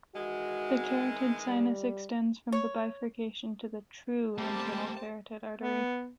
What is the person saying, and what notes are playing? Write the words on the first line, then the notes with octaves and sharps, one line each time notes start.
The carotid sinus extends from the bifurcation to the "true" internal carotid artery.
D#3 E3 G#3 F#4
G3
C#5
G3 A3 A#3 C4 G4 A5
B3